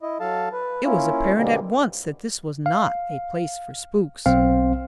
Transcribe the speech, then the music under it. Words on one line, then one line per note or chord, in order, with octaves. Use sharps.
It was apparent at once that this was not a place for spooks!
E4 D#5
F#3 A4 F5 A5
B4
A#3 C#4 E4 F4
B2 D3 G3 G#3 A#3 C4
F5
B1 C4 F5